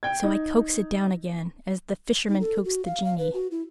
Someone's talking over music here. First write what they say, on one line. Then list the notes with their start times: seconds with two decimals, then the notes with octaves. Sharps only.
So I coax it down again, as the fisherman coaxed the genie.
0.03 G5 G#6
0.24 D#4
2.29 D#4
2.40 A4
2.65 F#4
2.85 F5
3.05 F5
3.18 B4
3.34 F#4
3.51 E4